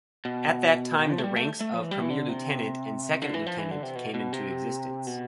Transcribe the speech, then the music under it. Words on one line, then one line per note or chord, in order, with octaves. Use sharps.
At that time the ranks of "Premier-Lieutenant" and "Seconde-Lieutenant" came into existence.
B2
B2
F3
A3
G3
A3
A3
F3
E3
G3
E3
D3
C3
D3
E3
F3
E3
D3
C3
B2
B2
C3
B2